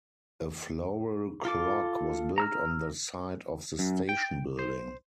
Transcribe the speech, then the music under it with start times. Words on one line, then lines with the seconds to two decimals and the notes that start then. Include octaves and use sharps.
A floral clock was built on the site of the station building.
1.45 F4 A4 D6
2.38 A#5 E6 F6
3.79 F#2
4.09 G5
4.59 C5